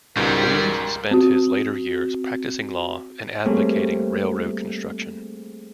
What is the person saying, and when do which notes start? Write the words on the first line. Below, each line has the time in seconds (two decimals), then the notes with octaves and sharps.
Williams spent his later years practicing law and advocating railroad construction.
0.17 C#2 G#2 B2 G3 A#4
1.11 C4 F#4
3.46 G3 A3 A#3 C4 G#4 C#5